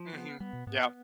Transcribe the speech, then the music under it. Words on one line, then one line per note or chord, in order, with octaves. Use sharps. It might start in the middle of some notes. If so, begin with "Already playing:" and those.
Mhm, yeah.
Already playing: F3
B3
G3 B3
B2
G#2 B3